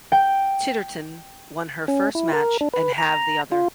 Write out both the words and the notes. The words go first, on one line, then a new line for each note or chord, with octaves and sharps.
Titterton won her first match and halved the other.
G5
C#4
E4
A#4
D4
B4
A#5
F4